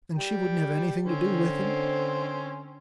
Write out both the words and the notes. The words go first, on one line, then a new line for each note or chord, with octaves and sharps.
And she wouldn't have anything to do with him.
G3 G5
D3 C4 C#4 C5